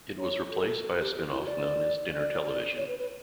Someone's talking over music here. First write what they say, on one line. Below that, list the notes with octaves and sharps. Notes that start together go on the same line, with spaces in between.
It was replaced by a spin-off known as Dinner Television.
C#5
A4
A4
G4
G4
E4
F#4
D5
D5
C#5
B4
B4